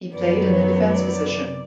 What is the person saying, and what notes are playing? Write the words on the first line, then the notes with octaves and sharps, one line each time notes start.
He played in the defense position.
F#2 D#3 F#3 B3 D5
C#5
D5